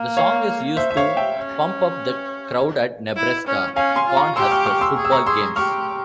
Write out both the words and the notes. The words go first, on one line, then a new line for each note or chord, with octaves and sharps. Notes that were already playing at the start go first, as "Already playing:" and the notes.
The song is used to pump up the crowd at Nebraska Cornhuskers football games.
Already playing: A#3
C#5 F5
C5 E5
E5
C#5 F5
E5 G5
C#4
E4
C#4
C#4 F5 G#5
G#5 C6
F4
A#5 C#6
G4 C6 E6
C#6 F6
C#6 F6
C6 E6
G#4 C#6
E6
A#5 C#6
G#4 C6 E6
G4 C#6 F6